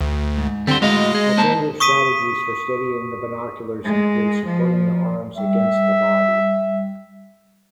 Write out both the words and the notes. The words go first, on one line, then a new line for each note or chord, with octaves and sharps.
Alternative strategies for steadying the binoculars include supporting the arms against the body.
D2
G#2
D3 G3 C4 C5
A2 G#3 F#4 D#5 F5
G#4
A#3 C5 A5
C#6 D#6 B6 D#7
G#3
F3
G3 E5